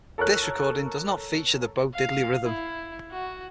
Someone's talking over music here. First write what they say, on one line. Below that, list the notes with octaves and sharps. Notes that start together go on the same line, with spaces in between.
This recording does not feature the Bo Diddley rhythm.
A4 A#4 C#5 F#6
F5
E4
F#4